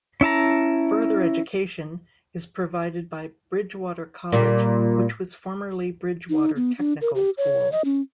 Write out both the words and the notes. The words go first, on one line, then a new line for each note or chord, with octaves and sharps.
Further Education is provided by Bridgwater College which was formerly Bridgwater Technical School.
C#4 E4 A5 A#5
A#2 G3
D#4
B3
D4
A#4
G4
C#5
D#5
C#4